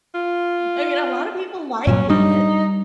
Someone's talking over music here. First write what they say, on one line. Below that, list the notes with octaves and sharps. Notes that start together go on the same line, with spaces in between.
I mean, a lotta people like it.
F4
G2 A#2 F#3 C#4
G3 D4 D#4